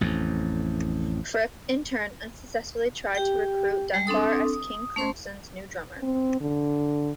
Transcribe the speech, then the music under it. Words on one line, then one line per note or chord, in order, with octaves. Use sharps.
Fripp, in turn, unsuccessfully tried to recruit Dunbar as King Crimson's new drummer.
A1 F2
G4 G5
G3 G#3
C4 D4 A4 D#6
D#6
A3 C#4 C5 C6
C4
D3